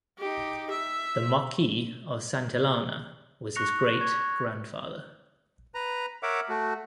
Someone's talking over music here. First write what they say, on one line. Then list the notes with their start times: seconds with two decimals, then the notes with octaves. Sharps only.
The Marquis of Santillana was his great-grandfather.
0.19 D#4 G4
0.70 E5
3.55 C#6 F#6 A#6 C#7 F7
4.01 C#6 G#6
5.75 B4 A#5
6.23 A#4 C#5 E5 F#5 D6
6.49 A3 F#4